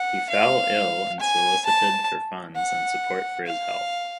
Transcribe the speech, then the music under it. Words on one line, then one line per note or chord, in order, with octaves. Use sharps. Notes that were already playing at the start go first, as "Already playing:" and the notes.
He fell ill and solicited for funds and support for his health.
Already playing: F#5
F5
G#5
A5
F#5
F5